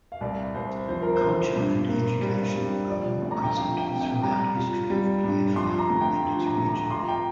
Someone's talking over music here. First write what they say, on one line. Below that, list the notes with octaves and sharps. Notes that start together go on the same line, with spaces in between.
Culture and education are all present throughout history of Pljevlja and its region.
F5
C2 D5
C2 C5
F3 C5
A#4
C5
F3
G2
A#3
G3
G3
F3 D5
D2
A#5
G5
F3 F5
G5
C3
G5
G3 A#5
F4
G3
G2
F3 C6
A#5
D2
G5
F3
A#5
D2
A#5
F4 C6
A#5
G5